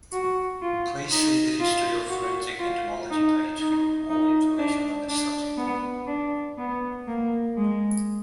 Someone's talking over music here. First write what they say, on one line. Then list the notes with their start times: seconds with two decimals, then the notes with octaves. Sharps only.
Please see the History of forensic entomology page for more information on this subject.
0.12 F#4
0.62 F4
1.11 D#4
1.60 F4
2.10 F#4
2.59 F4
3.10 D#4
3.59 D#4
4.09 D#4
4.58 D4
5.09 D4
5.57 B3
6.07 D4
6.58 B3
7.07 A#3
7.57 G#3